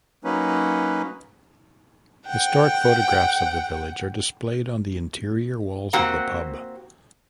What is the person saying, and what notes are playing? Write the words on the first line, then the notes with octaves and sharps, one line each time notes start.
Historic photographs of the village are displayed on the interior walls of the pub.
F#3 A#3 C#4 D#4 B4
F#5 G5
A#3 C4 F#4 G4 F#5